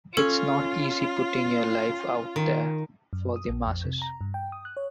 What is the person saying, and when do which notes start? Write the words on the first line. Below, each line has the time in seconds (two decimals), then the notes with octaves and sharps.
It's not easy putting your life out there for the masses.
0.17 C#4 F4 A4
2.36 D#3
3.13 F#2
3.36 D#6
3.49 A#1
3.67 F2
3.85 C3
4.02 A#5
4.21 G2
4.34 G5
4.52 D#6
4.65 F#6
4.77 C#5